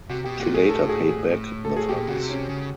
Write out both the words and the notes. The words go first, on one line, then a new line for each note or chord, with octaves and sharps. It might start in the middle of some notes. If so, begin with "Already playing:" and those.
She later paid back the funds.
C3 F#4
B2 G4
A#2 F#4
A2 G#4
A4
G#4
G#4
A4
G#4
A#2 G4
C#3 F#4
C3
C#4
C#3